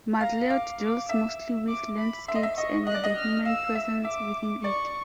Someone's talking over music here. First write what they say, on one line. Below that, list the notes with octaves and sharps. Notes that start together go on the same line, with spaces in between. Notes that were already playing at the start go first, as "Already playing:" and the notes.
Macleod deals mostly with landscapes and the human presence within it.
F5 A#5
F5 D6
D6
E5 E6
D6
B5
E5 C6
D#5
E5
D#5 C#6
D#5 F#6
D5
D#5
F6
F5 E6
E5
E5 D6
D5 C#6